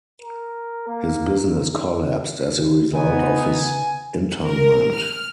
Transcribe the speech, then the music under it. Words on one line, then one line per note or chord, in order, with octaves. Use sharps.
His business collapsed as a result of his internment.
A#4
A#3
C#3 A3 B3 D#4 G#5
A#4
F6